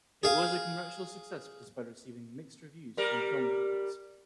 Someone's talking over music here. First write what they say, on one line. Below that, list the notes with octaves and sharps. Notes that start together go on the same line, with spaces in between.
It was a commercial success despite receiving mixed reviews from film critics.
G#4 F5
G3 A#4